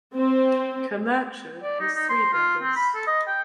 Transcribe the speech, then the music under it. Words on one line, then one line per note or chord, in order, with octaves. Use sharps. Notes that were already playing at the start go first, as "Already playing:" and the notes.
Camacho has three brothers.
C4
D5
D#4
D#4
C5
F4
C4
B5
A4
D#5
G5